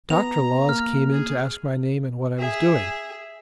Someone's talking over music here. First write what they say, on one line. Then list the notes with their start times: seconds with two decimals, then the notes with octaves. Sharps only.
Doctor Laws came in to ask my name and what I was doing.
0.10 B3 A#5 F7
0.69 A#3 F6
1.12 G#4
2.38 G#4 E5